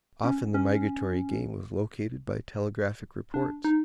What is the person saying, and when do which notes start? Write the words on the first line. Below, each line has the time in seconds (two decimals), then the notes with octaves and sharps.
Often the migratory game was located by telegraphic reports.
0.24 C#4
0.54 C#4
3.34 D4
3.64 D#4